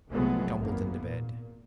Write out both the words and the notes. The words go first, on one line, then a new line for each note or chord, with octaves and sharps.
We tumbled into bed.
C2 F3 F#3 G#3 A3 B3
G#1 F#2 A#3 B3
A#2